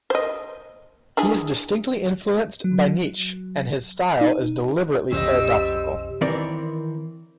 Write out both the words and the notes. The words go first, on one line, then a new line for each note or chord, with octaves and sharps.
He is distinctly influenced by Nietzsche and his style is deliberately paradoxical.
C5 D#5
D4 E4 G#4
F#3
D#4
B1 F2 E3 G3 C#4 C5 D#5 E6
D#3 E3 C4 A#4 C#5 D5